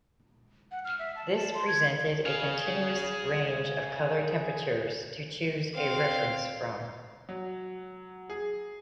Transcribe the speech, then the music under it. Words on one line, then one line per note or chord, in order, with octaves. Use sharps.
This presented a continuous range of color temperatures to choose a reference from.
F#5
F6
E5
A5
A5
C6
G#6
G#4 F5
C4 F5
F#3
G#4